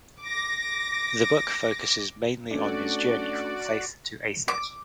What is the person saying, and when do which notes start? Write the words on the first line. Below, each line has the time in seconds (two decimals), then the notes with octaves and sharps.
The book focuses mainly on his journey from faith to atheism.
0.23 D6 A#6
2.51 A3 C#4 D4 F#4 D5
4.48 D6